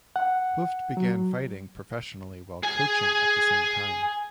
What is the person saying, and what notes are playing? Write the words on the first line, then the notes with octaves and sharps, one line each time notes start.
Hooft began fighting professionally while coaching at the same time.
F#5
F#3
G#4 G#5